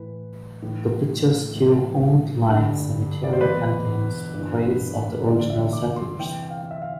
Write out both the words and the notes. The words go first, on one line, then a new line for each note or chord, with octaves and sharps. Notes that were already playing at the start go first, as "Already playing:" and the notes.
The picturesque Old Lyme Cemetery contains the graves of the original settlers.
Already playing: A2 E3 B4
A2 E3
A2 E3
G2 D3
D5
C5
E2 B2 B4
G2
E3
E2 D3 D5
E5
D6
C6
E2 C3 E3 G5
G5
F5
E5
F5